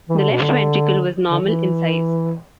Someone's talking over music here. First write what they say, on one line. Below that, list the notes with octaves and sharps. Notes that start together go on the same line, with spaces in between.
The left ventricle was normal in size.
E3
D3
B2
D3
D3
E3